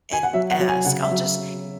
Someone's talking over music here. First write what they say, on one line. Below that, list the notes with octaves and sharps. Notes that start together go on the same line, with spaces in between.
and ask, I'll just
G#5
F#5
F#3 E5
F#5
F#3
G#5
C#3 F#5
E5
F#3